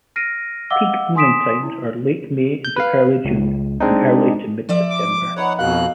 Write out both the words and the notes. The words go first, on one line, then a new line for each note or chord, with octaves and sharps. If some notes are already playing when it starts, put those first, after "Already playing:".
Peak blooming times are late May into early June, and early to mid-September.
F6 A#6 C7 D7 D#7
D#5 F5 F#5 D6 E6 G7
G#5 C6 D#6 B6 D7 E7
E4
G6
B4 F5
C#2
G#3 C4 D4 D#4
F3 D5 E5
D6
B3 D#4 B4 C#5 F#5
F2 B2 F#4 A#4 F5 F#6